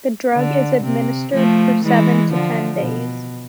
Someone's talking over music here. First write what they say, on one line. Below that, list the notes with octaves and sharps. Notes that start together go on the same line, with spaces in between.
The drug is administered for seven to ten days.
D3
C3
F3 A3
E3 G#3
D3 F3
B2